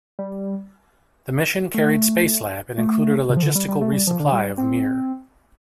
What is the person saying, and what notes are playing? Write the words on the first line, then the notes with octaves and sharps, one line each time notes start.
The mission carried Spacelab and included a logistical resupply of "Mir".
G3
A3
A3
C3
F3
D3
G3
G3
A3
G3
F3
D3
G3
C4